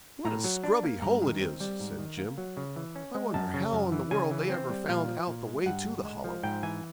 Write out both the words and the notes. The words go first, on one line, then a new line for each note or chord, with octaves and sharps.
'What a scrubby hole it is!' said Jim; 'I wonder how in the world they ever found out the way to the Hollow?'
A2 A#5
F#3
D4
A#3
G2 A#5
D#3
C4
G3
G#2
D#3
A#3
F#3
C#3
E3
C#4
G#3
F#2 A5
C#3
F#2
E3
C#3 G#5
E3
C4
G3
A#2 F5
F3
A#2
G#3
G2 F#5
D3
G#3
F3
G#2 G5
E3 G#5